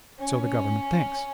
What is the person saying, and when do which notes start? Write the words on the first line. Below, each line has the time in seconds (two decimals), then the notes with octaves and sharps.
So the government thinks.
0.19 C#4